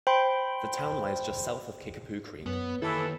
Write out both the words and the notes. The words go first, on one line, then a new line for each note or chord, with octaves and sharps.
The town lies just south of Kickapoo Creek.
C5 G5 B5 C6
F#2 B3 B4 C#5
D#2 E3 E4 A4